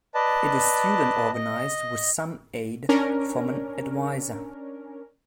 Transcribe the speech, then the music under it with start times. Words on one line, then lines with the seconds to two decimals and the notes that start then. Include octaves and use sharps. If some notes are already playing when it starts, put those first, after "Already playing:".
It is student-organized, with some aid from an advisor.
0.15 B4 D5 D#5 A5
1.33 D#5
2.89 C#4 D4 A#4